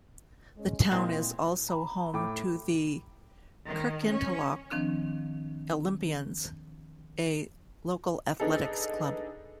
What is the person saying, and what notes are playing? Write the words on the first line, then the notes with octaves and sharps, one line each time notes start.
The town is also home to the "Kirkintilloch Olympians", a local athletics club.
G#3 C#4
A#2 G#3 A#3 C4 E4
A#5 B5
A2 G5 B5 D6
D#3
C#4
D#3 F3 C4 D4
B3 D4 D#4 G#4 A4